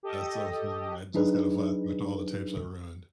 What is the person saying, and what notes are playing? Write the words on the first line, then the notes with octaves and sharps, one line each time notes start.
That's so funny, I just got a flashback to all the tapes I ruined.
G4 A4 D#5
F#3 D4 D#4 G#4 B4